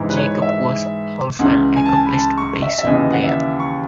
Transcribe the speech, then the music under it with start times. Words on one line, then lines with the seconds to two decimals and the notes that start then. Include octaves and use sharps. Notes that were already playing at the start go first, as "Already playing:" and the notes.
Jacob was also an accomplished bassoon player.
Already playing: G#2 E3
0.10 B4
0.17 C#5
0.42 E5
1.39 C#2 C#3 E3 F#5
1.76 G#5
1.86 A5
1.96 G#5
2.06 B5
2.13 A5
2.38 C#6
2.62 E5
2.78 E5
2.86 D#2 C#3 E3 D#5
3.12 F#5
3.24 E5
3.60 C#6